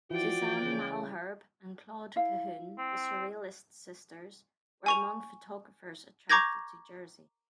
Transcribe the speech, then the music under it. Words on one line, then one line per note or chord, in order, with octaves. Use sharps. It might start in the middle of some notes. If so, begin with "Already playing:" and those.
Suzanne Malherbe and Claude Cahun, the "Surrealist Sisters" were among photographers attracted to Jersey.
E3 F3 F#4 D5 G5
C#3
E4 F5
C4
G#5 C#6 F7
A#5 C#6 D6 G6 G#6 A#6